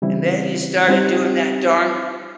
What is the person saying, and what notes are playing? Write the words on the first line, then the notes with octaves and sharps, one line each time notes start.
"And then, you started doing that darn
C#3 E3 G3 C4 E4
G3 C4 D#4 G4